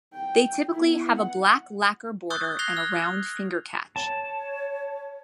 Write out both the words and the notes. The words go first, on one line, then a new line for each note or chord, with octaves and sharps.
They typically have a black lacquer border and a round finger catch.
G5
B3 E4
F#5
C#6 D#6 E6 F#6 G6 A6
F#6 G#6 A#6 C7 F7 G7
F6 F#6
C#5 A5